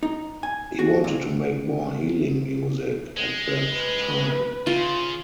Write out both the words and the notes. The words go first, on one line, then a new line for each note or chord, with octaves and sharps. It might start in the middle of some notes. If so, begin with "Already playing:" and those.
He wanted to make more healing music at that time.
D#4
G#5
F#4
A#2
G#3
B4
C#3 F4